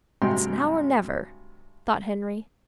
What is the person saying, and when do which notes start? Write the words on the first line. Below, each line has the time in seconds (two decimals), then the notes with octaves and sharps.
"It's now or never," thought Henry.
0.22 G2 C3 F#3 G#3 G5 C6